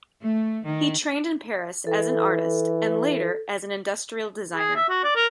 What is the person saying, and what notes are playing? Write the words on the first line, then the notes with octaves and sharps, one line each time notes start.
He trained in Paris as an artist and later as an industrial designer.
A3
D#3
E3 A4
G#4
E5
F#4
D5
A#4